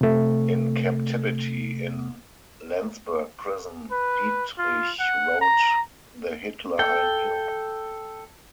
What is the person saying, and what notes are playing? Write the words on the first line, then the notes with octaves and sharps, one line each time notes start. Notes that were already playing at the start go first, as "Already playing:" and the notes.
In captivity in Landsberg Prison, Dietrich wrote The Hitler I Knew.
C3 A3
B4
F4
F#5
A#5
A4 G5